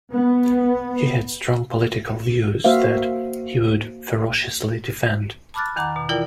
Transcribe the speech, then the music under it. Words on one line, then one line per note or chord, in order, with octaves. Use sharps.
He had strong political views that he would ferociously defend.
B3
A#3 F#4 C5 E5 F5
A5 B5 D6 F6 F#6 A6
E2 D#3 F#5 A#5 D6
B2
E3 E4 F4 A#4 D5 G5